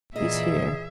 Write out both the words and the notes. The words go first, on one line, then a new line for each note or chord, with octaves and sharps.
He's here.
A#2 E3 G#4 D#5 E5